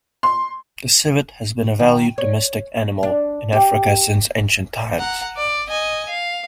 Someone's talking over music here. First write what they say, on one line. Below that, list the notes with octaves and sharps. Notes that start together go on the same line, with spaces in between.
The civet has been a valued domestic animal in Africa since ancient times.
C6
D#3
C#5
D4
G4
F#5 A#5
D5
D#5 G#5
F5